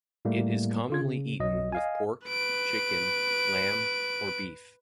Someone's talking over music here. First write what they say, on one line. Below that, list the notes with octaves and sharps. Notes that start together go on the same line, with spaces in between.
It is commonly eaten with pork, chicken, lamb, or beef.
A2 G3 A3 A#3
D3 F4 G#6
C#3
B1 F#3 D#5
D#5 F5 G#5
B4 D7